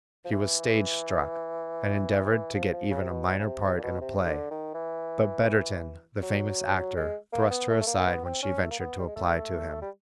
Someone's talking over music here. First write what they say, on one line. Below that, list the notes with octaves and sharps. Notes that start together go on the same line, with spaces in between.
She was stage-struck, and endeavored to get even a minor part in a play; but Betterton, the famous actor, thrust her aside when she ventured to apply to him.
F3
E3
F3
F3
C#3
C3
B2
B2
C#3
C3
C3
A#2
B2
C3
D3
D#3
E3
F#3
G#3
A#3
B3
A3
A3
A#3
B3
C4
C#4
A3
A#3
B3
G3
G#3
A3
G3